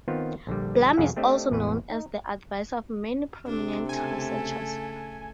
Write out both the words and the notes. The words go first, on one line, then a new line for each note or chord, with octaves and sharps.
Blum is also known as the advisor of many prominent researchers.
D#3 B3 C4 F4
A#1 D3 G3
C2 F2 C#4 G#4 F5 F#5
A3 C4 D4 G4 D#5 E5
A1 E2 B4
D#4
C3 D4
C#3 A3 A4 G#5